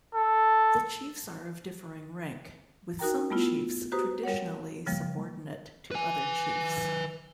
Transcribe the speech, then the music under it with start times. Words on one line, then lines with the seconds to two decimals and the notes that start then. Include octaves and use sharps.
The chiefs are of differing rank, with some chiefs traditionally subordinate to other chiefs.
0.14 A4
2.99 D#4 F#4 A#4 G5 A#5
3.30 G3 A3 B3 E4 F4
3.92 F#4 G4 B4 C5 A#5 D#6
4.23 G3 A#4 C#5 F#5
4.86 C#3 F3 G3 A#3
5.91 B4 G#5